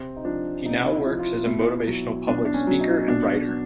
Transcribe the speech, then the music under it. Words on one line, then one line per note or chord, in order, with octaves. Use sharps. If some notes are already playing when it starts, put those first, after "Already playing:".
He now works as a motivational public speaker and writer.
Already playing: C3 C4
D#4
F3 D4
C3 D#4
E4
F3
F4
B2 E4
F#3
B2 D4
D4
C#4
F#3
D#4
B2 D4
F#3